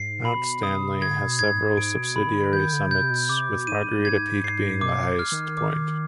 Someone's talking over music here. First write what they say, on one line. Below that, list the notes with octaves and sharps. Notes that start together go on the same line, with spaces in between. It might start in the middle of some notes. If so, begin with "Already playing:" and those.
Mount Stanley has several subsidiary summits, with Margherita Peak being the highest point.
Already playing: G#2 C7
B2 B5
C3 D#6
D3 G#6
B2
G#2 G#6
G#2 D7
B2
C3 B5
D#3
D3
D#3 G6
D3
D3
C3 G6
C3
B2
C3 D6
B2
G#2 D#7
G2
G#2 G#6
G#2 C7
B2 D6
F6
D#3
D6